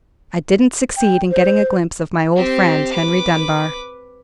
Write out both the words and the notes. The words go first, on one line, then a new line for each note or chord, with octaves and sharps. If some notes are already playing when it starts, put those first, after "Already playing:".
"I didn't succeed in getting a glimpse of my old friend Henry Dunbar."
G5
C5
C4 G4
B4 D6